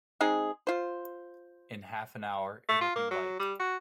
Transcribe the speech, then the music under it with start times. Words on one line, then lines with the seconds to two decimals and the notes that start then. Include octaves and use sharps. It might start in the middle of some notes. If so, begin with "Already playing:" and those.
In half an hour it'll be light.
0.21 G#3 C4 D#4 G#4
0.67 F4 C5
2.69 A3
2.81 F4
2.96 A#3
3.11 F#3
3.40 G3
3.60 F#4